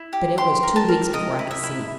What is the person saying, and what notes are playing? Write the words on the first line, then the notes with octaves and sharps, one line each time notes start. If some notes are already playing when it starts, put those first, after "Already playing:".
But it was two weeks before I could see.
Already playing: E4
G4
G4 C6
A#4
A5
A#4
A#4 D#5
E4
E5
E4